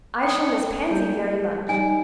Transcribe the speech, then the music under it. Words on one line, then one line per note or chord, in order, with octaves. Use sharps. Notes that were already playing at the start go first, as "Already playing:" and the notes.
"I shall miss Pansy very much."
G5 D#6
G3 G#4 G6
G3 D#4 G#5